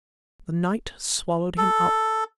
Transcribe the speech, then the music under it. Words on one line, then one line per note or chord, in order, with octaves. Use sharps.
The night swallowed him up.
A4